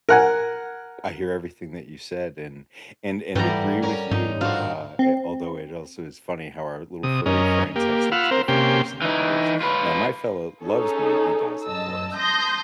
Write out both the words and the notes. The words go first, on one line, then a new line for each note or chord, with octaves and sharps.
I hear everything that you said, and and and agree with you, uh, i although it also is funny how our little furry friends have such different personalities. Now, my fellow loves me, he does, of course,
A#4 F#5 G#5
G#2 E3 G3 F#4 A4 B4 A#5
C#4 A#4
G#2 D#4
A2 F3 D4 F#4 F5
C4
C3 D#6
F#2 C#4 A#4 D#5
A#3 G4
F4 F#5 B5 E6 F6
C4 A#4 C5
C3 A#3 C#4 G4 G5 C6
E3 D#4
F4 B4
C#4 D#4 G#4 A4
F#2 D#5 A5 E6
A5 C6 D#6 G6 A#6